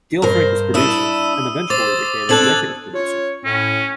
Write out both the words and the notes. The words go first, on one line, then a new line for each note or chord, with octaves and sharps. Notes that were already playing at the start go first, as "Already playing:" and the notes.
Gail Frank was Producer and eventually became Executive Producer.
G2 A#4 C5
D4 E4 D#6 E6 D#7
C5 D6 A6
C4 D4 A4 F#6 G#6 F#7
C#4 F4 C#5
A2 C#4